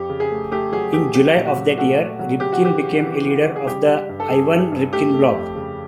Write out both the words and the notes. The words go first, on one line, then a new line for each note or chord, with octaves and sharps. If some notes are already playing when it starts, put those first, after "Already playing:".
In July of that year, Rybkin became a leader of the Ivan Rybkin Bloc.
Already playing: F2 G4
C#3
G#4
A3
A3 G4
F#3 G#4
A3 G4
F#3 G4
A#2
F#4
F#3
A3 F#4
A3
F#3
C#3 G4
F#4
E3 G4
C#3
E3
C#3
C#3
G#4
G3 G4
G3
G2
A4
G3 G#4
G2
G2
A3 G4
A3
F2
C#3